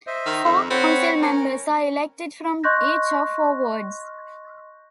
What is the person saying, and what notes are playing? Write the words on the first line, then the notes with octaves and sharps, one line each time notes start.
Four council members are elected from each of four wards.
C5 D#5 E5
D#3
F2
C4 C#5 F#5 B5
C#4 A#4
D#5 C6 C#6 F#6 G6 A#6